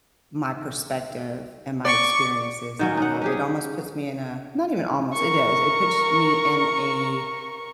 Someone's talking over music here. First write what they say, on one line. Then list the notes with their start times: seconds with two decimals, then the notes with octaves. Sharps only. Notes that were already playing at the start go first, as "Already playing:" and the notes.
my perspective, and my experiences that I have. It almost puts me in a not even almost, it does it puts me in a
1.85 D5 C#6
2.79 D#3 F#3 C#4
2.97 D#4 F#5
3.22 C#4 G4 G#4
5.13 A#4 C#6